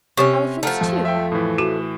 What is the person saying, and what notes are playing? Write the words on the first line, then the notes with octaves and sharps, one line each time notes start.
Elephants, too!
C3 C#4 G4 C#5 C#6
F3 A3 F#5 A#5 F6
F2
E5 G5
A2 E3
F#4 E7